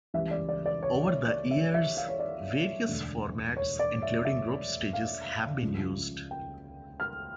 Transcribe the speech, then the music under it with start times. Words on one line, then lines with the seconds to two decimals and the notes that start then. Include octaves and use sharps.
Over the years, various formats, including group stages have been used.
0.14 C#2 C#3 E3 G3 E5
0.31 D5
0.49 D5
0.66 D5
0.83 C#5
1.05 C#5
1.28 D5
1.51 E5
1.74 E5
1.97 F5
2.08 C#5
2.19 D5
2.88 E1 D2 D3
3.57 C#5
3.79 D5
4.02 E5
4.25 E5
4.93 F5
5.62 C#2 C#3 F3
6.31 G5
7.00 F6